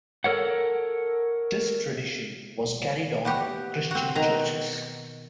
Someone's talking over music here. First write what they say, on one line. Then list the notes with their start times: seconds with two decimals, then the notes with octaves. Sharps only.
This tradition was carried on in Christian churches.
0.24 A4 A#4 C#5 F#5
3.25 B3 F#4 G4
3.91 C4 F#4
4.15 B2 D#3 A#5